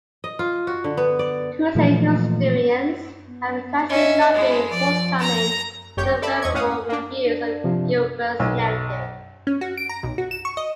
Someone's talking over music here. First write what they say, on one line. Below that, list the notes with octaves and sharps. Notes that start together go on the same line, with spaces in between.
Crusade historians have traditionally not been forthcoming with favourable reviews of Guibert's narrative.
D#5
F4
F#4
D3
B3
D5
A#2 E3 F3 A3
B3
C#4 D#5 E5
G#3 E4
F3 D5
A#5
G1 F#2 G4 C#5 G6
A4 D5 E5 B5
E2 D#5 C#6 G#6
A2 C#4 F5 F#5 D#6
A#3 D4
D4
C3 F3
B1
C#4
F#4
D7
A#5
B1
F#4
E7
C#6
D#5